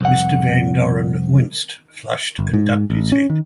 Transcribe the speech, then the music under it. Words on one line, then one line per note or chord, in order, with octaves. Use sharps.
Mr. Van Doren winced, flushed, and ducked his head.
C2 F2 F#5
G1
G#2
A1
C#4
D#3